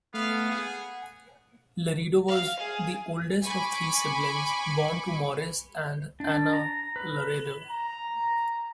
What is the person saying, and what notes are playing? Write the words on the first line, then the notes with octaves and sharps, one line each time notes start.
Laredo was the oldest of three siblings born to Morris and Anna Laredo.
A3 B3 F5
G#4 F#5
F5
G#4
G#5 B5 C#6 D6
D4
A#5
B4
A#5